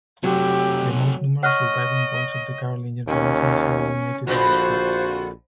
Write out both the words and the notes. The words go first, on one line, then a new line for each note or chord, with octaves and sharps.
The most numerous surviving works of the Carolingian renaissance are illuminated manuscripts.
C3 F#3 A3 G4
C#5 D#5 F#5 C#6 F6 F#6
D#2 C#4
A#1 F2 D3 B3 F4 F#4 C5